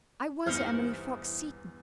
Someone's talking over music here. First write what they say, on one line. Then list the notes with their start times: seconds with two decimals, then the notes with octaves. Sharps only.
I was Emily Fox-Seton.
0.46 G1 E2 D#4 E4 C5 F6